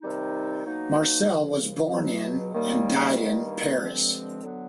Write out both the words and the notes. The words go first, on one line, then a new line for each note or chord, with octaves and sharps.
Marcel was born in and died in Paris.
C3 D#3 G3 C4 D#4
B2 F#3 A#3 D#4
D#2 C#3 F3
C#2 B2 F#3
D#2 D#3 G3 A#3
G2 D#3 G3 A#3 D#4
G2 D3 F3 G#3 C4
D2 D3 F#3 B3 D4